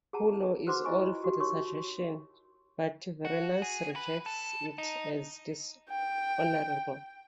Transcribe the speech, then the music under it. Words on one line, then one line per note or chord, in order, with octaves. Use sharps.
Pullo is all for the suggestion, but Vorenus rejects it as dishonorable.
G#4 F#5 A5 A#5
F#4 B4 C5 F#5 C6 D6
E4 F4 D#5 G#5 C#6
F#4 G4
D#4 A#4 C#5 C6 C#6
F#4
G#4
B4
A4
D#4
G5